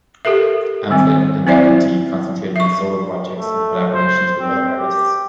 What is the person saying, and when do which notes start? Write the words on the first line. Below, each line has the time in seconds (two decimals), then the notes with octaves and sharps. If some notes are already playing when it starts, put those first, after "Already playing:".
Amphlett and McEntee concentrated on solo projects and collaborations with other artists.
0.25 G4 A4 A#4 E5
0.90 D#3 G3 C4
1.47 C4 E4 C5 D5 E5
2.56 E5 C#6
3.39 A3
3.94 C5
4.40 C4
4.76 G4